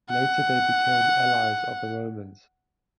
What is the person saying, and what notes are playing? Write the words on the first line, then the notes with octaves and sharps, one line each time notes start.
Later they became allies of the Romans.
F#5